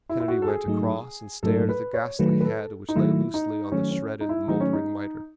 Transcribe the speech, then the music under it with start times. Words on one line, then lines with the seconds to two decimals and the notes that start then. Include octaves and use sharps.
Kennedy went across, and stared at the ghastly head which lay loosely on the shredded and mouldering mitre.
0.09 E4
0.20 E4
0.28 F#4
0.42 A4
0.48 G#4
0.66 G#2 F#3 A3 D#4
1.43 G#2 F#3 A3 D#4 A4
1.69 B4
1.94 C#5
2.19 D#3 F#3 A3 B4
2.41 B4
2.45 A4
2.89 D#4
2.96 D#3 F#3 A3 E4
3.34 D#4
3.72 D#3 F#3 A3 C#4
3.91 C#4
4.21 D#4
4.29 E4
4.48 D#3 F#3 A3 D#4
4.60 C#4
4.73 D#4